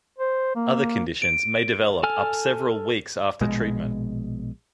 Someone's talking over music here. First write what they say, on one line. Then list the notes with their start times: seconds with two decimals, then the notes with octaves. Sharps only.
Other conditions may develop up several weeks after treatment.
0.18 C5
0.55 A#3
1.22 D7
2.03 A4 G#5 F6
3.41 A#1 B2 G#3